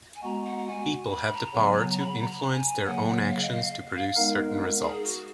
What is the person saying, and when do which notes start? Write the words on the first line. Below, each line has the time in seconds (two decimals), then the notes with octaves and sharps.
People have the power to influence their own actions to produce certain results.
0.15 G#5
0.23 G#3 B3 F#4 A#5
0.45 F#5
0.58 F#5
0.67 G#5
1.10 B5
1.22 B5
1.32 A#5
1.54 C#3 F#3 B3 G#5
1.72 G#5
1.76 A#5
1.88 A#5
1.98 B5
2.20 A#5
2.41 A#5
2.52 G#5
2.85 C#3 F#3 A#3 F#5
3.07 F#5
3.29 F5
3.41 D#5
3.52 F5
4.16 G#3 B3 D#4 A#4
4.82 G#4
5.04 F#4